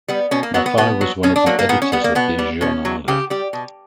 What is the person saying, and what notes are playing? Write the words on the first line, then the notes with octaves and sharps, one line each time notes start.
Maffei was one of the editors of the Giornale.
G3 B3
B2 C#4
A#3
F#3 B3
B3
B2 B3
F#3
B2 C#4
D4
F#3 A#3
A#3
A#2 B3
C#4
G3 B3
A#3
B2 B3
G3
B2 C#4
F#3
C#3 G4
G3 G4
B2